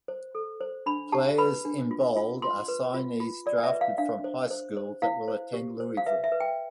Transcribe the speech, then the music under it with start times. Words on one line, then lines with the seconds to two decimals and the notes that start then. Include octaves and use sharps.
Players in bold are signees drafted from high school that will attend Louisville.
0.08 C5
0.35 A4
0.61 C5
0.86 D4 B5
1.12 G4 A5
1.38 B4 B5
1.65 D4
1.91 F4
2.17 F4
2.42 F4 C6
2.68 B4
2.94 F4
3.20 F4
3.46 F4 D5
3.58 D5
3.63 E5
3.73 B4
3.81 F5
3.98 D4 F5
4.24 C5
4.51 C5
4.77 C5
5.02 E4 F5
5.28 C5
5.54 G4
5.80 C5
5.97 F5
6.06 B4 E5
6.24 E5
6.32 B4
6.40 G5